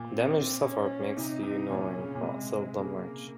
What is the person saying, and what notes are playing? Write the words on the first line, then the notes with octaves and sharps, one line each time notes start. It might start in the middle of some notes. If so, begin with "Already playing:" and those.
Damage suffered makes you knowing, but seldom rich.
Already playing: A#2
C4
C#4
C3 D#4
C3
A#2 C#4
C#3
A#2
C3 G#3
C#3 A#3